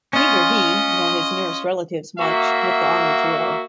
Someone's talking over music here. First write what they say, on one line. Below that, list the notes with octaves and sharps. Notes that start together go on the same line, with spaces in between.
Neither he nor his nearest relatives march with the army to war.
C#4 F4 D#5
A#3 F#4 E5